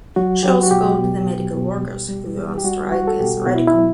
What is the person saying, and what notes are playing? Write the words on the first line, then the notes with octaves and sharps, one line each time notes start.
She also called the medical workers who were on strike as "radical".
F#3 F#4
F#3 G4
F#4
B2 G4
B2
B2
B2
G3
G3
G3
G4
G3 F#4
G3 F#4
A4
B2 G4
B2 F#4
E4
E4
F#3